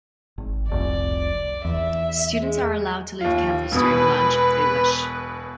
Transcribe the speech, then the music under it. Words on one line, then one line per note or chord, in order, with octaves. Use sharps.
Students are allowed to leave campus during lunch if they wish.
G#1
F1 C2 D5
E2 E5
G#3
D#2 F4
E1 B2 B4 D#6